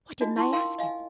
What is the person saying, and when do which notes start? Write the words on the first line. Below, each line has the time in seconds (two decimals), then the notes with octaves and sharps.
Why didn't I ask him!
0.21 D4 D#4 F4 F#4 D#5
0.36 E4 F4 A5 C6 C#6
0.53 A#4 F5 G5 C6
0.78 D#5 F5 G#5